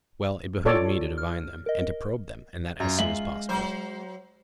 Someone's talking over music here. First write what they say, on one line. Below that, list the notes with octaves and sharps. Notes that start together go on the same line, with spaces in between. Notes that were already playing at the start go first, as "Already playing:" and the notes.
Well, it behoved me to divine them, and to probe them, and that as soon as possible.
F4 A4 C#5 D5
F6
A#4 D#5
F#2 F4
G#3 E5 F#7
F#3 C5